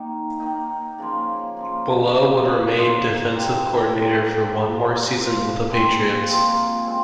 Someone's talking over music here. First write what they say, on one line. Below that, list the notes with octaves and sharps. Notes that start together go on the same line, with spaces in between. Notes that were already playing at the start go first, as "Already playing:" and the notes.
Bullough would remain defensive coordinator for one more season with the Patriots.
Already playing: D#3 A#3 D#4
D#3 A#3 D#4
C#3 F3 A#3
C#3 F3 A#3
F3 A#3 D#4
F3 A#3 D#4
G#3 D#4 G4
G#3 D#4 G4
F3 A#3 F4 C5
F3 A#3 F4 C5
A#2 F3 G#3 C4
A#2 F3 G#3 C4
C#3 G#3 C4